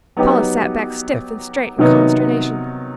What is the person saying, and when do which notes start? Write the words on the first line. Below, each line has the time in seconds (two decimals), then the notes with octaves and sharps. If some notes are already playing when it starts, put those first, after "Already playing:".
Paula sat back stiff and straight in consternation.
0.17 F#3 B3 D#4 G4
1.78 C3 D#3 F#3 B3 D#4